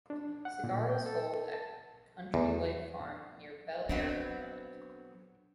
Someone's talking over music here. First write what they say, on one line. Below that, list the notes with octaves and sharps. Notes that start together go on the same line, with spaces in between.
Cigar was foaled at Country Life Farm near Bel Air, Maryland.
D4
F#5
A#2
G5
A4
A5
E2
F#3 B3 C4 D4